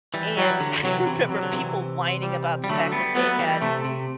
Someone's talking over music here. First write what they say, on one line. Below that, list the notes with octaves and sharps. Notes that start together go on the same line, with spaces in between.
And I remember people whining about the fact that they had,
E3 G3
E3 F#3 G3
E3
D3 F#3
D3
C3 E3 F#3
C3 E3
C3 F#3
D3
C3 E3
G3
G3
D3 F#3 A3
G3 B3
F#3 A3 B3
E3 G3
C3 A3
C3